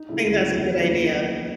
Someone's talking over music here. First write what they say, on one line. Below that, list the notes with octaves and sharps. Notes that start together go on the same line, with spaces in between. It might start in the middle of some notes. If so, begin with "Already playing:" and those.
I think that's a good idea.
Already playing: D#4
C#3 F3 A3 E4
D2 F4
C#3 F3 A3 F#4
E2
C#3 F#3 A#3
E2